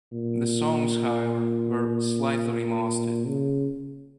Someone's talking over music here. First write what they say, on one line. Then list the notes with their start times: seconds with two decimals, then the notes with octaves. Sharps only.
The songs, however, were slightly remastered.
0.12 A#2
3.26 C#3